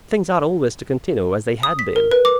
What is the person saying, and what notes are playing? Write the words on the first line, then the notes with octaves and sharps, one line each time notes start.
Things ought always to continue as they had been.
D#6
B6
A#4
B4
D6